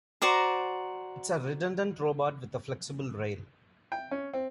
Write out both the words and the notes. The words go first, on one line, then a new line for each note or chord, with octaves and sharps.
It is a redundant robot with a flexible rail.
F#4 C5 D5 A#5
G5
C#4
C4